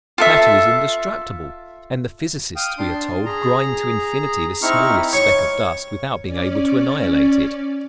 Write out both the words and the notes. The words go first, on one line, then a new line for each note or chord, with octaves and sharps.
Matter is indestructible, and the physicists, we are told, grind to infinity the smallest speck of dust without being able to annihilate it.
F4 A4 E5
F5 G5 D#6
D4 C6
G#4 A#5
C4 D#4 E4 C#6 F6
C#5 C#6
C#4 D5